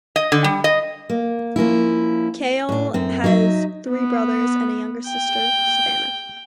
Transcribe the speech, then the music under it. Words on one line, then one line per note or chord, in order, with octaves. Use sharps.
Kahle has three brothers and a younger sister, Savannah.
D#5
D3
G3
D#5
A#3
F3 A#3 C#4 E4
A2 D4
F#2 C4
F#3 D#4 B4 E5
B3
G5